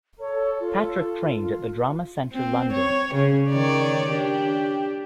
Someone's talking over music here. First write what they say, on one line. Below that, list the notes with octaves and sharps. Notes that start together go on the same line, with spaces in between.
Patrick trained at the Drama Centre London.
A4 C#5
F4
F4
C4
C#5
C#3
D#3 C#5 D5
D4 G4